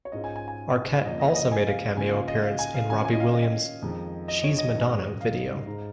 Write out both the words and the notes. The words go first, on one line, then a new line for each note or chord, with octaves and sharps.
Arquette also made a cameo appearance in Robbie Williams' "She's Madonna" video.
C#5
G#2 G#3 C#4 F4 D#5
G#5
G#5
G#5
F2 C#3 A#3 F4 D#5
D#5
D#5
G#5
F5
C#3 A#3 F4 G#5
F5
D#5
F5
G#5
F5
D#3 C#4 F4 G#5
G#5
D#5
F5
D#5
F2 D#3 G#3 D#4
D#5
C#5
D#5
G#2 D#3 C#4
F5
G#2 G#3 D#4